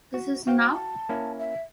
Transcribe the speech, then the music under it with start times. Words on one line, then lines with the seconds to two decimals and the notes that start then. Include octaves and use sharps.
This Is Now.
0.14 F#4
0.47 F#4 C5 F5 G5
0.73 A5
1.09 A#3 C#4 E4
1.39 E5